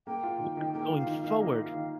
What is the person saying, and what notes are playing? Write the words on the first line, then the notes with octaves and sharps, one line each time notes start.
but going forward,
A#3 G5
F4
D#3
D#3
A#3 G5
F4
F5
D#3
F5
D#3
A#3 D#5
F4
F5
D#3